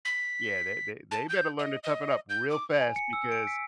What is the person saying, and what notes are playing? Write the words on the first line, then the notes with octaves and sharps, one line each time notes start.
"Yeah, they they they better learn to toughen up real fast because,
B6
A5
G6
D#5
D#5
G6
D6
G#5
C#7
E6
D7
B6